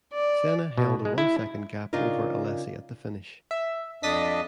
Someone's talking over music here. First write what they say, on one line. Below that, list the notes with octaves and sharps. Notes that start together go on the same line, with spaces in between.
Senna held a one-second gap over Alesi at the finish.
D5
B2
G#3
E4
C#3 D4 D#4 F4 A#4
E5
F2 D4 D#5 D#6 A6 B6